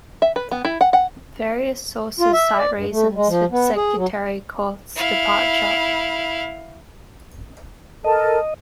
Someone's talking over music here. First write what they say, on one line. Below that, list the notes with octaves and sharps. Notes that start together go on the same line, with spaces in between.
Various sources cite reasons for Secretary Korth's departure.
E5
B4
B3
E4
F#5
F#5
F4
E5
D5
G2
A3
G#3
F3
B3
G#4
F#3
E4 F5
A4 A#4 D#5 A5